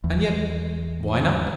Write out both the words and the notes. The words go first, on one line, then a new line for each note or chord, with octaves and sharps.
And yet--why not?
E2